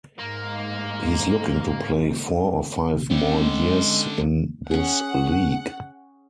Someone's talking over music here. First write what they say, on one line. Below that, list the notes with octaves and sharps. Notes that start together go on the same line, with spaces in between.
He's looking to play four or five more years in this league.
G#2 A#3
B1 C#3
D3 C4 C#4 G4
G#3
C#4 G#4 F#5